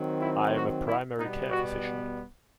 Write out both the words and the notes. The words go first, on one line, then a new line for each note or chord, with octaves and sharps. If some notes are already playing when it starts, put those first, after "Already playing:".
I am a primary care physician.
Already playing: D#3 F#3 C4
E4
F#4
E4
B2 G3 B3 D#4
F#4